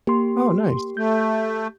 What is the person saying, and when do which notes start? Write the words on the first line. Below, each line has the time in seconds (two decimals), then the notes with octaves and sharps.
Oh, nice.
0.07 A#3 G4 C6
0.97 A3 G6